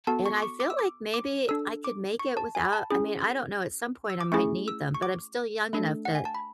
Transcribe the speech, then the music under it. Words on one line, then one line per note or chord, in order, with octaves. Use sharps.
and I feel like maybe I could make it without I mean, I don't know, at some point, I might need them, but I'm still young enough that
B3 F#4 A4 A5
C#6
D6
C#6
D6
E6
D6
D6
D4 A4 E6
D6
C#6
A5
G#5
B5
A5
C#4 E4 G#4
E6
D6
A3 C#4 E4 G#4 C#6
E6
C#6
D6
A3 D4 A4
F#5
G#5
A5
B5